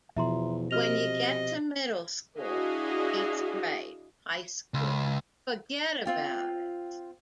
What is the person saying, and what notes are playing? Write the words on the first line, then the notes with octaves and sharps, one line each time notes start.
When you get to middle school, eighth grade, high school - forget about it.
E2 B2 F3 E5 A#5 C6
C3 F#4 D#5 F6 F7
D4 E4 F#4 G#4 D#5 F5
C#2
C4 F4 G5